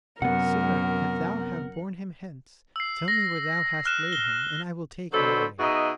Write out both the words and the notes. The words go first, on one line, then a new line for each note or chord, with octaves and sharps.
"Sir, if thou have borne him hence, tell me where thou hast laid him, and I will take him away."
F#2 C3 B3 A#4 F#5
E6 C7
A#6
F6 F#6 E7
G7
B2 D3 F#3 A4 C5 B5
B2 D#4 F#4 G#4 D#5 E5